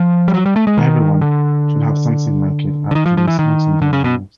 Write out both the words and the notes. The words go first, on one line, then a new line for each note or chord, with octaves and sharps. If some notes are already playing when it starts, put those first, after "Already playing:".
Everyone should have something like it at least once in their lives.
Already playing: F3
G3
F#3
G3
A3
G#3
D#3
D3
D3
D#3
F3
F3
E3
D#3
D3
C#3
B2